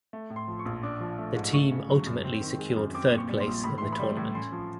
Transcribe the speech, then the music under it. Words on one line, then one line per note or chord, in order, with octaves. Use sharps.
The team ultimately secured third place in the tournament.
A3
A2
C6
F3
C#6
A#1
D4 D6
F3
A3
G#2
A3 C#6
C#3
F#3
F#2
C4
D#3
G#3
F#2
C4 D6
A#2
C#6
G3
C6
A#1
A2 B5
E3 C6
B5
G3
A2
C#4 C6
F3